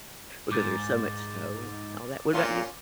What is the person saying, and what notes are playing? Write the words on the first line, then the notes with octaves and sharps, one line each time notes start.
because there's so much snow and all that, what about you?
G#2 D6 G6 A6
A#2 C#4 F4